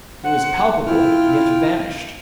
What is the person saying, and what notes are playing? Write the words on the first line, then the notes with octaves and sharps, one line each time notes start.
He was palpable, yet vanished.
C5 F#5
E4 F4 G5 F6